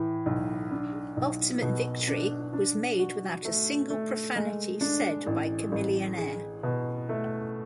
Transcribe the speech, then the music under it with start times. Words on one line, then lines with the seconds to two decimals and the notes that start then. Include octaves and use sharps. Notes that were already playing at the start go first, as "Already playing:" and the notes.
"Ultimate Victory" was made without a single profanity said by Chamillionaire.
Already playing: A2 E3
0.26 B1
0.71 D4
1.17 B1
1.62 B2
2.08 D4
2.53 D4
2.99 F#4
3.45 A3
3.90 A3
4.36 G#3
4.81 D4
5.27 A1
5.72 A1
6.18 G#4
6.63 B2
7.09 A3